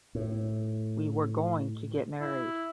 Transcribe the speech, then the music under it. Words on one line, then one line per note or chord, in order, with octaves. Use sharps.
We were going to get married.
A2
E4